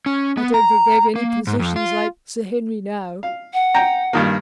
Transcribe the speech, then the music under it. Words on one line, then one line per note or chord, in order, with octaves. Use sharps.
I don't think they've any physicians like Sir Henry now.
C#4
B3
A#5
A#3
G#2
F2
F4
F5
F#5
G5 A#5
G2 D#3 A#3